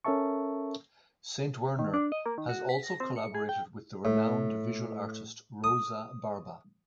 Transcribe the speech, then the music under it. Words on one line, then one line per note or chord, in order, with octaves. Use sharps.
Saint Werner has also collaborated with the renowned visual artist Rosa Barba.
C#4 A4 A#4 E5 A5 C#6
D#3
D4
D#5
A#3
D#3
F#4
B6
A#6
C4
C#7
G#4
G5
A2
D#6